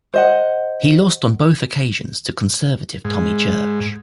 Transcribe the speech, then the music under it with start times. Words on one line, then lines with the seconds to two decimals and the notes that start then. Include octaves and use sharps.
He lost on both occasions to Conservative Tommy Church.
0.14 C5 D#5 F#5
3.05 G#2